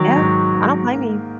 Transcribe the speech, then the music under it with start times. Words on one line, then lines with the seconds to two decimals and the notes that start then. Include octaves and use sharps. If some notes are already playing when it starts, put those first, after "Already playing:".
Yeah. I don't blame you.
Already playing: D#3 F#3
0.16 G#2
0.54 G#2
0.92 A#3